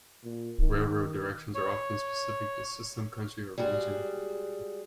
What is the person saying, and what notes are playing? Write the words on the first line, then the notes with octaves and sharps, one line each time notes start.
Railroad directions are often specific to system, country, or region.
A#2
D#3
C#5
G3 G#3 F#4 G#4